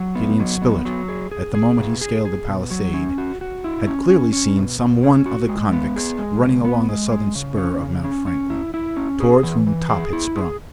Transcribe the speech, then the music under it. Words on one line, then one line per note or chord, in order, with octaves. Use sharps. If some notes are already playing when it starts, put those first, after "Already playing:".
Gideon Spilett, at the moment he scaled the palisade, had clearly seen some one of the convicts running along the southern spur of Mount Franklin, towards whom Top had sprung.
Already playing: F#3
B3
F#3
B3
F#3
G#4
G#4
G#4
B2
G#4
G#4
B2
F#3
C#4
F#4
F#4
E4
C#4
C#4
C#4
B2
B2
C#4
F#4
G#3
B3
G#4
G#3
C#3
B3
G#3
G#3
C#3
C#4
C#3
C#4
C#4
E4
E4
C#4
G#4
E3
E3
G#4
E4
G#4